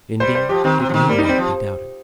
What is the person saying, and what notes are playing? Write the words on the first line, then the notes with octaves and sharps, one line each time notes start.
Indeed it need not be doubted.
G3 C5
C5
F3 G4
D#3 C4
C3
F3
D#3
G3 A#3
D#4
G3
C4
F3